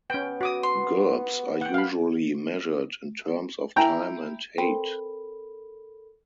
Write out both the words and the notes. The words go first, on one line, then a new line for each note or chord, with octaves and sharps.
Gerbs are usually measured in terms of time and height.
B3 C#4 G5
F#4 D6 D#6
C6
F#5 G5
F5 B5
E4 G5 A#5
C4 A4 A#4 B5